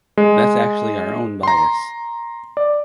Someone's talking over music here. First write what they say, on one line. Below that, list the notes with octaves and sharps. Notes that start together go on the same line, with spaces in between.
That's actually our own bias.
G#3
A#5 C6
D5